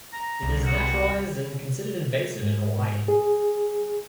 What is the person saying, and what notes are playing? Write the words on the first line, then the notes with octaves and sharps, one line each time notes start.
It is naturalised and considered invasive in Hawaii.
A#5
C2
F#4
G#2
G#4